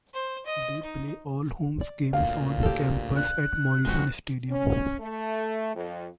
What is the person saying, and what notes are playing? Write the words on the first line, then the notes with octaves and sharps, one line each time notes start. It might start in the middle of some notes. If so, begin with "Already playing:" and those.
They play all home games on campus at Morrison Stadium.
C5
D#5
D#4
D5
D2 A#2 F5
G4 A4
D4 F#6
B1 F2 G#3 F#4 G4
C#4
A3
F2